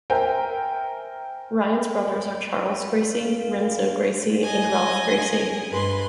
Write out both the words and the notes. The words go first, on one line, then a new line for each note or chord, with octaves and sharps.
Ryan's brothers are Charles Gracie, Renzo Gracie, and Ralph Gracie.
A#4 C5 E5 G5 G#5 A#5
F5
D#5 G#5
G2 B4 C6